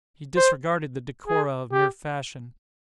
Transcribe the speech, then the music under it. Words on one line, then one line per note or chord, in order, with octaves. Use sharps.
He disregarded the decora of mere fashion.
C5
G#4
G4